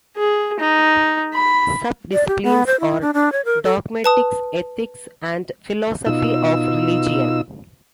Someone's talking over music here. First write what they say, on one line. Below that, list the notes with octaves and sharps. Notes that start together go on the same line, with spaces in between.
Subdisciplines are dogmatics, ethics and philosophy of religion.
G#4
D#4
B5
D5
G4
B3
C5
E4
D4
D4
C#5
A#4
A4
B4 A5 D#6
B2 D#4 F4 E6